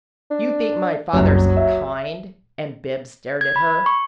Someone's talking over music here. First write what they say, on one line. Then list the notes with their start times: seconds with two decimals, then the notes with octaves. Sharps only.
"You think my father's KIND?" And Bibbs stared at her.
0.30 D4
1.13 F#1 C2 F#2 F#3
1.57 E5
3.41 G#6
3.56 B5
3.86 C#6